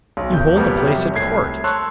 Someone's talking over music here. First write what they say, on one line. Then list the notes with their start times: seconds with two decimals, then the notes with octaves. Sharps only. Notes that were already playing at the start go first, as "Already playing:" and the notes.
You hold a place at court.
0.17 B1
0.31 D#1 G6
0.55 F2 B2 G3 A#3 B3
0.85 C3 F#3
1.14 C2 A3 G#6 C7
1.64 C#5 A5 C6 E6 F#6